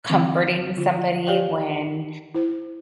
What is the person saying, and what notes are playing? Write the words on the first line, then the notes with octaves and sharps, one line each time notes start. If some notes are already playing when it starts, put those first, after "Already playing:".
comforting somebody when
D3 E3 C4
D3 F4
G4 C#5 D5 F5 G5
E4 C5